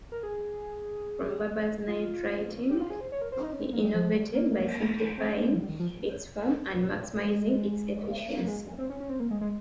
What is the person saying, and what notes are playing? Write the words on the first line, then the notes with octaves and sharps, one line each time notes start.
From Barbier's night writing, he innovated by simplifying its form and maximizing its efficiency.
A#4
G#4
F4
G4
F4
G#4
C5
C#5
A#4
C5
D#4
C#4
C4
A#3
G3
F3
G3
A#3
C4
C#4
A#3
G#3
F3
G3
D#3
F3
G#3
A#3
G#3
C4
C#4
C#4
C4
A#3
G#3
G#3